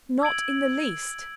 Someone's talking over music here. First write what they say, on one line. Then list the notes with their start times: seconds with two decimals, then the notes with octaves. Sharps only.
"Not in the least."
0.22 E6 G#6 D7 F#7